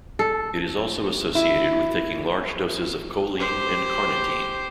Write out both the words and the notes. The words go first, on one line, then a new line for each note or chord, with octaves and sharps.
It is also associated with taking large doses of choline and carnitine.
A4
E4
G4 C5